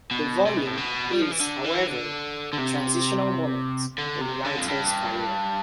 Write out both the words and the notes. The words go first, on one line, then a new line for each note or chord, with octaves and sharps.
The volume is, however, a transitional moment in the writer's career.
B2
C3
B2
A2
B2
G3
F3
E3
D3
E3
D3
D3
C3
D3
C3
D3
F2
G2